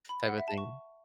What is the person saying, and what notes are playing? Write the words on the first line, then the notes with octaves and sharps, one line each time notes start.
type of thing.
B5
F#5
E5
A5
C#6